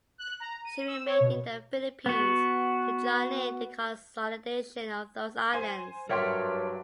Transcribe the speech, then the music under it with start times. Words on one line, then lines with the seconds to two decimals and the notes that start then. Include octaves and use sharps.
She remained in the Philippines to join in the consolidation of those islands.
0.18 F#6
0.40 A#5
0.65 D#7
0.87 E6
1.06 C#5
1.20 B2
2.06 B3 F#4
5.53 C5 G#5
6.09 G2 F#3 A#4 C#5 D5 E5 G5 C6